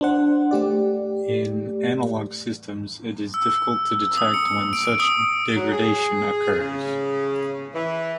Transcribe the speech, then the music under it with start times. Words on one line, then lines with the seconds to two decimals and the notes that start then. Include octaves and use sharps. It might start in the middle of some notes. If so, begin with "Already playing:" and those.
In analog systems, it is difficult to detect when such degradation occurs.
0.01 D4 C5 F#5
0.51 A3 G4 D5
3.34 E6
4.17 D#6
4.34 C#7
4.73 D7
5.00 D#6
5.55 F#3
5.70 G#4
6.59 C#3
7.73 E3